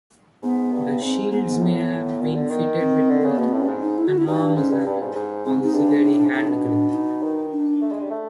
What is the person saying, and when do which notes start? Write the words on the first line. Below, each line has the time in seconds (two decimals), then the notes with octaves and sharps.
The shields may have been fitted with both enarmes and an auxiliary hand grip.
0.42 G#2 B3
0.72 G2
1.02 G#2 C4
1.32 G#2 B3
1.47 B3
1.56 A#3
1.61 A2 B3
2.21 A#2
2.35 D3
2.50 D#3
2.80 C4
3.09 D3
3.21 C4
3.24 C#3
3.30 B3
3.38 B2 A#3
3.48 C4
3.53 A2 C#4
3.63 G2
3.67 G#2
3.83 D#4
3.98 E4
4.07 F#4
4.18 E4
4.27 G2 D#4
4.42 D4
4.57 G#2 C#4
4.71 G2
4.86 G2
5.01 G#2
5.15 G#2
5.46 G#2 C4
5.64 D#4
5.74 G2 D4
5.89 G#2
6.05 A2
6.25 G#2
6.34 A2 D4
6.41 D#4
6.47 B2 D4
6.93 D#4
7.22 D#3
7.52 D4
7.81 A3
7.92 G#3
8.01 G3
8.10 A3